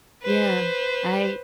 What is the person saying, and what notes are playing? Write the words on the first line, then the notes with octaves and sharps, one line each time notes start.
Yeah, I
B4 C5